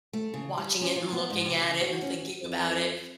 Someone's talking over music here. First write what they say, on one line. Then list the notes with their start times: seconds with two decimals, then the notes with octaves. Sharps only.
watching it and looking at it and thinking about it,
0.13 A3
0.34 C#3
0.58 G3
0.81 C#4
0.96 F4
1.13 B3
1.30 G#2
1.46 C3
1.63 C#3
1.81 F#4
2.02 C#4
2.42 F2